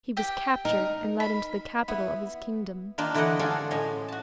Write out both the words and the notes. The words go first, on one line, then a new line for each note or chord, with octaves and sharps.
He was captured and led into the capital of his Kingdom.
G4 G5
D#4 A#4
B5
B3 E4
D#3 A#3 D4 F4
D3 E3 E4 D5 D#5 F#5
D4 F4 F#4 G#4 A4
A2 G#3 C#4
F#4 A5